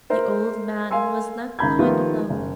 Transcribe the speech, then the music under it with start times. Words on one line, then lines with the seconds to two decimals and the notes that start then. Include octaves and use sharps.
The old man was left behind alone.
0.10 A#4 C5 E5
0.91 A#4 F5 G#5 C6 E6
1.59 C#2 D#3 A#5 B5 G6 G#6
1.79 D#3 F3 A3 B3 F4 G4
2.30 F#1